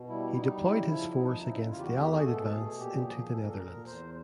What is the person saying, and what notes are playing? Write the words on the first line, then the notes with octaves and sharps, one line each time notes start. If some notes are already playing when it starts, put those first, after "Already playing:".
He deployed his force against the Allied advance into the Netherlands.
Already playing: B2
G3 E4
G3 D#4
C#3 E4
F3 E4
F3 D#4
C#3 E4
E2 F4
G4
F#4
A3 G4
G#4
B2 A4
B2 G#4
A#2 G4
F3 G#4
A#2 A4
A#4
A4
A#2 A#4
E2 C5